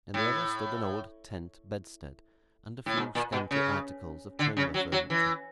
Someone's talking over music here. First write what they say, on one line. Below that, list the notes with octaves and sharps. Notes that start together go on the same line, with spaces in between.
In the other stood an old tent bedstead, and a few scanty articles of chamber furniture.
A2
A2
G#2
A#2
B2
C#3
D3
C#3
F#3
F#3
E3